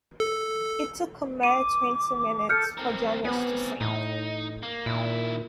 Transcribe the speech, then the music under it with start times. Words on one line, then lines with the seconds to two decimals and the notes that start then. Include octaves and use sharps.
It took a mere twenty minutes for "Janus" to sink.
0.20 A4
1.43 D6 D#7
2.49 A4 F6 G6 C#7
2.78 C4 A#4
3.25 B3 C4 G#4
3.81 A2 D#4
4.63 A#3
4.86 A#2 D#3 E4